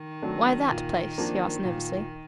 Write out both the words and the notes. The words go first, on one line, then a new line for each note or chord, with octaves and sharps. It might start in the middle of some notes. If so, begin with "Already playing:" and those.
"Why that place?" he asked nervously.
Already playing: D#3
F#3 A3 D4
A#2
F3 A#3 D4
A#2